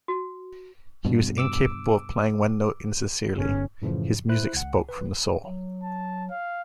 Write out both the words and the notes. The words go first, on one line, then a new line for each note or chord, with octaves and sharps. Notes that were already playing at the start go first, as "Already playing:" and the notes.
He was incapable of playing one note insincerely; his music spoke from the soul.
F#4
G2 B2
D6 E6
G1 C#4
F#2 A2 C#3 E3 F3
E4 C5 F#6
C#2 F#5
B4
F#3
A5
F5